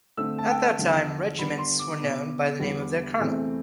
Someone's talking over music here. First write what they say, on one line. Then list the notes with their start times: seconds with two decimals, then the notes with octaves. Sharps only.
At that time, regiments were known by the name of their colonel.
0.17 D3 A3 C4 E6
0.39 A5
0.51 G5
0.59 A5
0.79 E2 D3 F3
1.39 D3 G3 B3 D4 B5
1.58 C6
1.79 D6
2.00 B2 B3 D4
2.59 E2 D3 G3 B3
3.20 E2 C3 E3 A3 C4